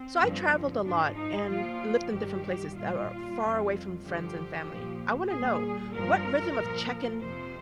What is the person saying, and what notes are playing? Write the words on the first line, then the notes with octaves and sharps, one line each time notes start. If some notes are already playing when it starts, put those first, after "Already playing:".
So I traveled a lot, and lived in different places that are far away from friends and family. I wanna know; what rhythm of check-ins
Already playing: C4
G2 D3 F3
G#2 F3 D4
D#4
A#2 F3 F4
G2 D#3 G3 G4
A#2 G3 F4
F2 C3 G3
G2 D3 F3 G4
A#2 F3
A#2 G3 G#4
G2 F3 A#4
A#2 F3
F2 C3 F3 C5